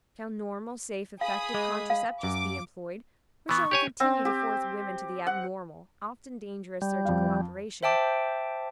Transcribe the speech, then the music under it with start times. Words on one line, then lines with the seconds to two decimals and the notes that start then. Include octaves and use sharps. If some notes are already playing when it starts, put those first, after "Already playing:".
Shall normal, safe, effective contraceptives be employed, or shall we continue to force women to the abnormal, often dangerous surgical operation?
1.21 G#4 F5 B5 D#6
1.54 G#3 D6
1.90 F5
2.23 F#2 D6
3.49 E3 B3 C#6
3.71 G4 C#5 G#5
4.00 C4
4.25 G4
5.27 F#5
6.82 G3
7.05 F2 F5
7.83 C5 E5 G5 A5 D6